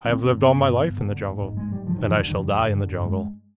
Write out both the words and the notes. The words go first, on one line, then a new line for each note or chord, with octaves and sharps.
I have lived all my life in the jungle, and I shall die in the jungle.
B3
D3 C4
G2 C4
D3 B3
G2
D3
G2
D3
G2
G#2
G#2
G#2 G#3
G#2 G3
D3 F3
F2 D#3
F3
D3 G3
D#3
F2 G3
D3
G2
D3
G2
G#3